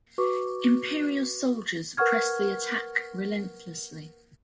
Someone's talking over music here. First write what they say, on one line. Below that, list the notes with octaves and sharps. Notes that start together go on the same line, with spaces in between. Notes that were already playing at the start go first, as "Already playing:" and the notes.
Imperial soldiers pressed the attack relentlessly.
F#4 B4 C#6 D6
A#4 B4 F#5 C#6 F6 G#6